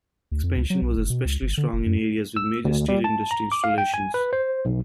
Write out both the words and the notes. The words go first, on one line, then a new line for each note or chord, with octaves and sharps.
Expansion was especially strong in areas with major steel industry installations.
D2
F2
C#2
F#3
B1
F#1
B2
C#2
G1
D3
F#1
F#2
E6
D2
G3
A5
A#5
D6
F5
G5
G#5
B4
C5
B1